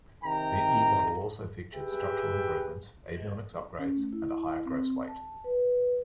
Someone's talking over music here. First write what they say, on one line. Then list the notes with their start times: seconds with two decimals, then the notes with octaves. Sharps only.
The E model also featured structural improvements, avionics upgrades and a higher gross weight.
0.24 C3 D#3 G5 A#5
1.75 G4 G#4 B4 E5 G5
3.79 C#4
3.96 A3
4.13 E4
4.66 C4
5.08 A5
5.44 B4